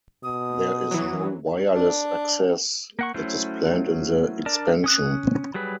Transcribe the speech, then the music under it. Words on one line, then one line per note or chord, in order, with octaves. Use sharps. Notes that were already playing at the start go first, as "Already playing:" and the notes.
There is no wireless access; it is planned in the expansion.
B2 D#6
E3 F#3
D4
A#3 F#5 C#6
F#3 A3 C#4 E4 C5
D4 A#4 D5 A5
C#4 D#6 F#6
F#3 G3 G#4 B4